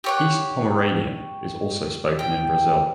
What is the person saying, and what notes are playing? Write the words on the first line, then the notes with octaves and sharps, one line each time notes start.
East Pomeranian is also spoken in Brazil.
G4 C#5 F#5
G5